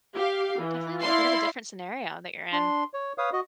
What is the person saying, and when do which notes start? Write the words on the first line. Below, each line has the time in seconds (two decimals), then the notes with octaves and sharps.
definitely, like, a bit of a different scenario that you're in,
0.15 G4 F5
0.58 E3
1.02 E4 D5 F5 C6 C7
2.53 D4 C6
2.94 C#5
3.18 B4 C#5 F5 D#6
3.33 F#4 D#5